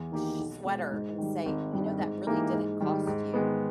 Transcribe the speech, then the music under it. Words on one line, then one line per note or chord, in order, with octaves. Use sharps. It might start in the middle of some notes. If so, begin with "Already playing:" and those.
sh sweater and say, "You know, that really didn't cost you
Already playing: E2
D#3 A#3 D#4 G4
B1
B2 G#3
G#2
D#3 G3
G#1
G2 D#3 G3
G#2
E3 A#3 D#4 G4
G#2
D#3 G3
G#2
D#3 G#3 B3